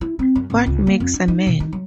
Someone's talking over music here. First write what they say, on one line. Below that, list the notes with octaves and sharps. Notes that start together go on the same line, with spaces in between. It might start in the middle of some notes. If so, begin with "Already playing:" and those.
What Makes a Man?
E4
C4
F#2
G#1
C#2
A#3
F2
D4
D#4
B2
D#4
F#3